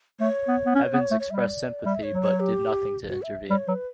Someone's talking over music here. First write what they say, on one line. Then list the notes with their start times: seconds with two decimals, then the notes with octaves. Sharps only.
Evans expressed sympathy but did nothing to intervene.
0.20 A3 C#5
0.48 B3
0.66 B3
0.75 C#4
0.94 B3
1.11 A3
1.20 C#5
1.30 G3 D5 E5
1.85 G3 E5
2.03 C#5
2.13 F#3
2.22 C#5
2.40 G4
3.09 F#4
3.23 E5
3.49 G3 C#5
3.68 F#3 B4